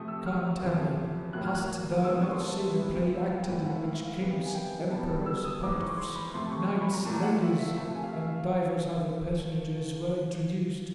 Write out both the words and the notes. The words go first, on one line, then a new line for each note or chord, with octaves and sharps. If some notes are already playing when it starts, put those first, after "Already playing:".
Come, tell me, hast thou not seen a play acted in which kings, emperors, pontiffs, knights, ladies, and divers other personages were introduced?
Already playing: C3 F3 A3 D#6
E6
F6
E2 C3 F3
A2 F#3 A#3 F#6
F6
F#6
C3 D#3 G#3 B3 E6
D#6
C#6
C6
A5
E5
C3 E3 G#3 B3
E5
F5
G5
G#2 E3 A3 F#5
F5
F#5
E5
F5
E5
F5
C3 D#3 G3 B3
G#5
G5
B2 G3 B3 A5
E6
E6
D#6
D#6
G#2 E3 G#3 D6
C#6
C6
B5
C3 F3 A3 C6
C#6
C#6
B5
A#5
A#2 F#3 A3 A5
G5
F#5
F5
E5
E5
C3 F3 A3
G#5
F5
E5
F5